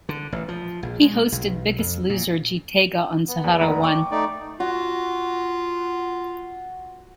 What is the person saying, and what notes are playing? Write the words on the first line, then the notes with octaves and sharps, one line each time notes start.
He hosted "Biggest Loser Jeetega" on Sahara One.
D3
A1
F3
A#1
G#3
B1
F2
A#2
B3
E2
F1 A#1 A#5
G5 C#6 D6
A3 D#4 D5
F4 F#4